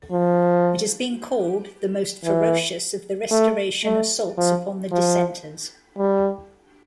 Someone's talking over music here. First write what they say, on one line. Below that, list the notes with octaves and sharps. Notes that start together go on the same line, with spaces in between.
It has been called "the most ferocious of the Restoration assaults upon the dissenters".
F3
E3
A3
A3
F3
F3
G3